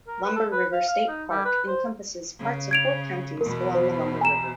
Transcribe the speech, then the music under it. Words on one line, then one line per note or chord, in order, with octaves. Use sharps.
Lumber River State Park encompasses parts of four counties along the Lumber River.
A#4
B4
A4
B4
F5
F5
D#4
G3
B4
C5
C#3
G#6 D7 F7
E2 B2 A#4
C5
G#5 A#5 E7